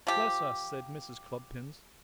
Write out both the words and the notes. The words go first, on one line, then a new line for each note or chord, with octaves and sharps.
'Bless us!' said Mrs. Cluppins.
F3 G4